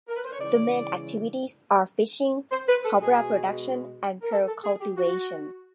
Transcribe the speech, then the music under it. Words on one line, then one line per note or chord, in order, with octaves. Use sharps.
The main activities are fishing, copra production and pearl cultivation.
A#4
B4
C5
C#5
C#3 E3 G#3 D5
C5
B4
A4
B2 G#3 G#4
A#4
A4
A4
G#4
G4
F#4